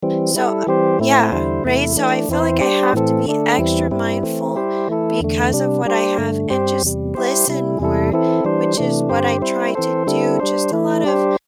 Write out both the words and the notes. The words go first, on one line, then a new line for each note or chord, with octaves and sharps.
So, I Yeah, right? So, I feel like I have to be extra mindful, because of what I have, and just listen more, which is what I try to do. Just a lot of
E3 G3 C4
G3 E4 A4
E3 G3 C4 G4 C5
A2 A3 C4 E4
E2 D3 G3 E4 C5
E2 C3 A3 E4
E3 A3 D4
E2 E3 C4 E4 C5
G3 D4 G4 C5
A2 E3 C4 A4
D3 A3 D4 A4
E2 E3 G3 C4 E4
G2 G3 C4 E4
E3 A3 C4
G3 E4 G4 C5
E3 A3 E4 A4
E2 D3 A3
C3 G3 D4
G3 D4 G4 C5
G2 D3 A3
G2 G3 C4 G4 C5
E2 C3 G3
G3 E4 G4 C5
C3 G3 E4
E2 C3 G3 E4 A4
E3 C4 E4 A4
E3 G3 D4 C5
C3 E3 A3 D4
G2 D3 C4 G4 C5
G3 C4 E4 C5
E3 C4 A4 C5
D3 G3 C4 E4 A4
G3 D4 C5
E3 A3 E4
G3 D4 G4 C5